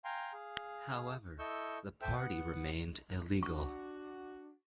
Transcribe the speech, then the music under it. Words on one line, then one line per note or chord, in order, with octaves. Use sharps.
However, the party remained illegal.
F5 G5 G#5 A#5 C6
G#4 F5
E4 A4 D#5 C#6 E6 G6
A4 C5 E5 G5
B3 F#5
D4 F#4 C#6